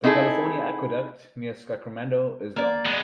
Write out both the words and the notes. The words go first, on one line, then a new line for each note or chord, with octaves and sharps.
The California Aqueduct, near Sacramento, is long.
C4 D#4 E4 G#4 A4
A#3 D5
G#3 B3